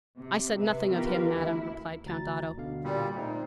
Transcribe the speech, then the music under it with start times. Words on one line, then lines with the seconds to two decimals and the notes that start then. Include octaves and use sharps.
"I said nothing of him, madam," replied Count Otto.
0.18 C3
0.58 C3 B4 E5
0.90 D#3 B3 F4 G4 A#4 B4
1.32 D2 E4
2.06 D2 A#5 A6
2.57 B2 D3 F5
2.84 A#2 G3
3.16 A#2 A3 C4 D#4